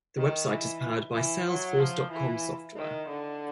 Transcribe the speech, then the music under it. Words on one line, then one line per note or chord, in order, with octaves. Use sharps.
The website is powered by Salesforce dot com software.
D#3
E3
E3
F#3
F3
E3
D#3
D3